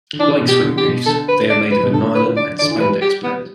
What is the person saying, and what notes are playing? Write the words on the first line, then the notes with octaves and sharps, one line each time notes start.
Like swim briefs, they are made of a nylon and spandex blend.
D3
E3 D4
B2
G4
D3
G4
B2
D3 A4
B4
D5
B4
B2
D3 A4
B4
D5
D5
D3
E3
G3 B4
G4
B3